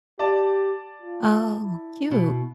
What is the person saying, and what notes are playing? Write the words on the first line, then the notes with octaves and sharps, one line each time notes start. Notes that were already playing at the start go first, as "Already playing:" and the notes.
Oh, cute.
G4 D5 A5
F4
E4
B2 E4